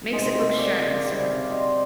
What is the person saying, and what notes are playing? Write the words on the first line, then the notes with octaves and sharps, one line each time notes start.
Makes it look shabby, sir.
C3 D#3 G#3 C5 D#5
D5 F5
C3 G3 D5 F5
C5 D#5